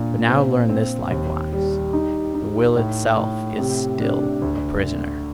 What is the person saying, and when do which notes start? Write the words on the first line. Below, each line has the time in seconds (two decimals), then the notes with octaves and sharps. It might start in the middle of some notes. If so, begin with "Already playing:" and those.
But now learn this likewise: the Will itself is still a prisoner.
Already playing: A#2 D4
0.28 C4
0.69 C4
1.11 D#2
1.53 G3
1.93 D#4
2.34 D#4
2.76 A2
3.17 A2
3.59 C3
4.00 D4
4.42 D2
4.83 D3